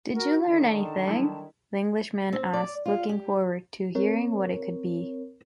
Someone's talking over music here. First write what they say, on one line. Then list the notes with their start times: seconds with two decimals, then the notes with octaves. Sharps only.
"Did you learn anything??", the English man asked looking forward to hearing what it could be.
0.13 F#4 A#4
0.48 D3 D#3 A5
1.07 F#3 G3 E4
2.33 C4
2.53 D5
2.86 F4
3.09 G4
3.95 C4 A#4 C#5